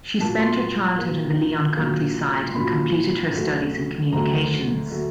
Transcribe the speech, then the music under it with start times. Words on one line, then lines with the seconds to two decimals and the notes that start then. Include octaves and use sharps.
She spent her childhood in the Lyon countryside and completed her studies in communications.
0.20 A#2 F#3 A#3 A5
0.39 C6
0.60 C6
0.99 A#2 F#3 A#3
1.77 A#2 F#3 A#3
2.49 C6
2.55 A#2 F#3 A#3 B5
3.34 D2 D3 F#3 A3
4.12 D2 D3 F#3 A3 A#5
4.91 D3 F#3 A3